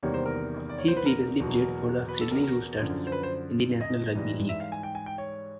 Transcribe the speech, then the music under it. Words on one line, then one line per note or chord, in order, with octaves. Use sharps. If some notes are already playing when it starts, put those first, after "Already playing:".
He previously played for the Sydney Roosters in the National Rugby League.
E2 C3 D#3 G3 A#3 C#5
C5
A#4
D5
C#5
C5
B4
A#4
E2 B2 F#3 A#3
B4
A4
A#4
A#4
F#2 D3 F3
C5
B4
C5
D#5
G#2 E3 G3
E5
F5
G#5
G5
G#5
G5
C#5